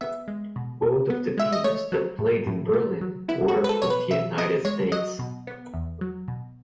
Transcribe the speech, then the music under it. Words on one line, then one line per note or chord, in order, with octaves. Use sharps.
Both of the teams that played in Berlin were from the United States.
B3 E5
G#3
B2
B2
B3
G#3 E5
D#5
A3 C#5
F#3
A2
A2
A3
F#3
B3 E4
F#4
G#3
B4
A4
B2 C#5
B4
B2 E5
B3 D#5
G#3 C#5
F#3 D#5
B2
B3
E2
F#3
B2